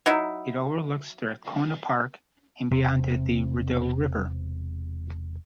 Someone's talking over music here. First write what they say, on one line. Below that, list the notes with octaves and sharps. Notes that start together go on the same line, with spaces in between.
It overlooks Strathcona Park and beyond it the Rideau River.
F#3 D#4 E4
E1 C3 C4